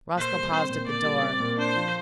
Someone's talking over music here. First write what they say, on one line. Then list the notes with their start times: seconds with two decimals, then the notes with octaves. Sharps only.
Roscoe paused at the door.
0.16 A#2 C5
0.34 G3
0.52 C4 C5
0.69 A#2
0.87 A#2 D5
1.05 G3
1.23 C4
1.40 A#2
1.58 D4 C5
1.76 F3